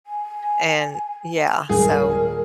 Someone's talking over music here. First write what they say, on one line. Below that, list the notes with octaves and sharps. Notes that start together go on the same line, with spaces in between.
And yeah, so.
G#5
D#1 G#4 A#4